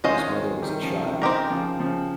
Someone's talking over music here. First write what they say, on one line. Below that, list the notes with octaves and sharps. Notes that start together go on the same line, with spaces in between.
His mother was a child.
C3 D#3 G#3 C#4 F4 C5 D#5
D#3 G3
C#3 F3
C3 D#3
C#3 C4 D#4 G4 A#4
C#3 F3
C#3 F3